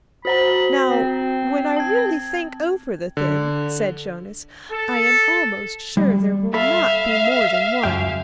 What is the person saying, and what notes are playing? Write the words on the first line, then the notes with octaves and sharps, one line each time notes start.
'Now, when I really think over the thing,' said Jonas, 'I am almost sure there will not be more than one.
F#4 C5 A#5 B5
C4
A5 G#6
D3
A4
G3
A4 E5 F5 B5
C#2 F#2 G5